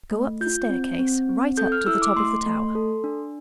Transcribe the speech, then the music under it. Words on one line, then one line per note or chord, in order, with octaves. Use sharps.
'Go up the staircase, right up to the top of the tower.
A3
F4 G6
C4
C4
C4
A4 G6
F6
E4 E6
D6
A3 C6
A3
A4
D4